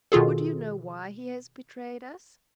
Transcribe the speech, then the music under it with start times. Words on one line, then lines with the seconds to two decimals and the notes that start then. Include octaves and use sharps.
Would you know why he has betrayed us?
0.12 B2 D#3 F4 G#4 A4